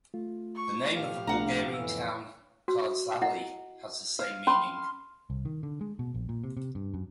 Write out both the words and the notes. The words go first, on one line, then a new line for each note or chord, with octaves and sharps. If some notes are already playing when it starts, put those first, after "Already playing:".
The name of the Bulgarian town Kardzhali has the same meaning.
A3 F4
C#6
A2 F3 G4 F5
C2 A3 D4 F#5 A#5
F2 A2 E3 E6
F#4
E4 D#5 F#5
F5
C#4 B5 C6
C2
D#3
D3
G#3
B2
A#1
A#2
C3
C3
G2
F#2